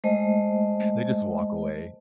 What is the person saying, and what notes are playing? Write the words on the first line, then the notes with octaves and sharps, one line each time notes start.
They just walk away,
G#3 A3 C5 D#5